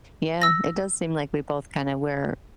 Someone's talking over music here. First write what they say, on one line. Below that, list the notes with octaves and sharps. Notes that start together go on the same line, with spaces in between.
Yeah. It does seem like we both kinda were
E6 A#6